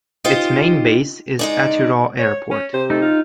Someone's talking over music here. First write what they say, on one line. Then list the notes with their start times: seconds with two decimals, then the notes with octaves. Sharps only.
Its main base is Atyrau Airport.
0.24 D#4 F4 G4 C5 D#5
1.39 G#3 D#4 D5
2.19 C#5
2.51 C#4
2.74 C3 C5
2.90 A3 D#4
3.02 F4